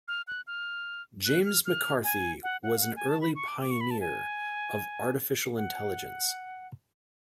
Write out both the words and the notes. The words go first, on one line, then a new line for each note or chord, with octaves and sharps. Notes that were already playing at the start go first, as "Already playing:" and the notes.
James McCarthy was an early pioneer of artificial intelligence.
F6
F#6
F6
F#6
F6
F6
G#5
F#5
F#5
F5
F#5
G#5
A5
B5
C#6
D6
D6
C#6
B5
A5
G#5
F#5